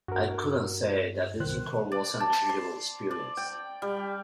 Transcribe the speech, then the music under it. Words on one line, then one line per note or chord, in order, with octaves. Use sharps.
I couldn't say that this record was an enjoyable experience.
G2 F#4 A#4
C2 D#3 C5 F#6
D5
A5
C6
D5
G5
G3